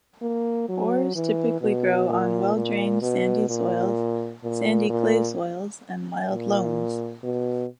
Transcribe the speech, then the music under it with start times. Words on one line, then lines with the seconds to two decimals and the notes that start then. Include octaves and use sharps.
Bors typically grow on well-drained sandy soils, sandy clay soils and mild loams.
0.22 A#3
0.69 F#3
1.15 E3
1.62 B2
2.09 A#2
2.56 A#2
3.02 B2
3.49 A#2
4.43 A#2
4.89 A#2
6.30 A#2
7.23 B2